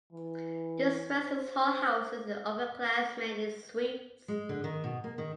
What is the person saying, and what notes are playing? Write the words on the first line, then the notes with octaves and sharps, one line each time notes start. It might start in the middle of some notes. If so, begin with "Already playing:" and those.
This residence hall houses upperclassmen in suites.
E3
C5
G#3
D3
D#3
B2
A#3
D#3